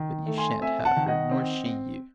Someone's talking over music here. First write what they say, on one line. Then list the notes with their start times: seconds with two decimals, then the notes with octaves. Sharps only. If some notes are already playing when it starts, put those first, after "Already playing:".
But you shan't have her, nor she you.
Already playing: D#3
0.26 A3
0.38 G#5 C6
0.61 C4 E5 G#5
0.85 F#5 A5
0.96 D#3
1.07 D#5 F#5
1.31 C4
1.65 C4